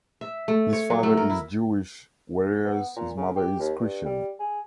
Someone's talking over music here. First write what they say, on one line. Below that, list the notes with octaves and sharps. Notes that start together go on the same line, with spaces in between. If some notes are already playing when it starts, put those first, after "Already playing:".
His father is Jewish, whereas his mother is Christian.
E5
A3
C#5
F#3
A3
A#4
E4
B3
A#2
C#3
G4
D#2
G2
G3
G#4